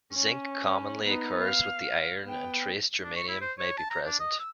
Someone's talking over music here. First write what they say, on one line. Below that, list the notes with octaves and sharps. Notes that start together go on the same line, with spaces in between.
Zinc commonly occurs with the iron and trace germanium may be present.
C#4
B3 D#4
F5
B3 G5
D4
C#6
E4
C5
C#5
A5
A#5
D4
D#5
E6